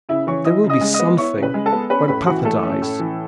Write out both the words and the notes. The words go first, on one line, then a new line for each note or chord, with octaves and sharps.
"There will be something--when papa dies."
C#3 E4 E5
E3 C#5 C#6
E4 D#5 D#6
C#3
D#5 D#6
G#3
D#5 D#6
B3
E4 C#5 C#6
C#3
B4 B5
G#3
A4 A5
B3
C#4 B4 B5
A2 B4 B5
E3 F#4 F#5
A3 A4 A5
C#4
A2
E3